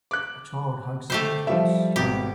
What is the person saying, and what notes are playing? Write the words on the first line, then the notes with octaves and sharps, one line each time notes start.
A child hugs a birdhouse.
D6 F#6
A3 G4 C5
F3 G3 E5
G#1 B2 G4